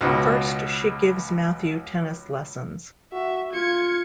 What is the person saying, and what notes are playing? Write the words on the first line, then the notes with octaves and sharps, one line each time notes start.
First she gives Matthew tennis lessons.
C#2 B2 D#4 F#4
F#4 E5
F4 G#6 C#7